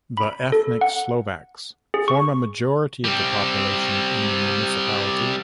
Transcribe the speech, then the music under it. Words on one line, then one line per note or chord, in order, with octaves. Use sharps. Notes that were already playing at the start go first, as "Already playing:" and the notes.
The ethnic Slovaks form a majority of the population in the municipality.
B5
A4
F#5
G#4
C#6
G3 C4